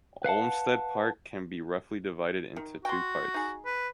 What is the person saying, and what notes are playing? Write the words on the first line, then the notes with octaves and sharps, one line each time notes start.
Olmsted Park can be roughly divided into two parts.
B4 F5 F#5 A5
D#3
F#4 G5 C6
D#4 G#4
B4